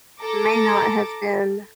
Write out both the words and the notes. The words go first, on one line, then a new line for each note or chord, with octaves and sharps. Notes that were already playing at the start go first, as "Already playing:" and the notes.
may not have been
A4 A#5 D6